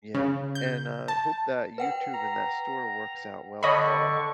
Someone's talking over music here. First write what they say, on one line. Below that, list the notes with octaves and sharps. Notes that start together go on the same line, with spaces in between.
Yeah, and, uh, hope that YouTube and that store works out well for ya.
C#3
G6
A5
B4 F#5 G5
A#5
D3 C#5 D#5 B5 C#6